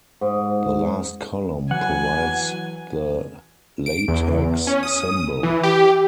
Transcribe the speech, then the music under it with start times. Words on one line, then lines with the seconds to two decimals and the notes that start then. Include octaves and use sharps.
The last column provides the LaTeX symbol.
0.21 G#2
1.71 E3 F#3 F#5 G#5
3.86 D7
4.08 E2
4.67 C#4
4.83 D#6
5.43 E3
5.63 G4